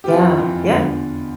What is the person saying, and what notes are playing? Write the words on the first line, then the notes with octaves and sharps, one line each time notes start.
Yeah. Yeah.
G4
F2 E3 F4
F2 E3
E2 D3